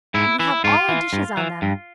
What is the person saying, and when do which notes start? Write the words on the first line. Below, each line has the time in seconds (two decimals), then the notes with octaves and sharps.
And we have all our dishes on them.
0.14 G#2 E4
0.39 E3 E4
0.64 G#2 F4
0.89 E3
1.13 G2
1.37 E3
1.62 G2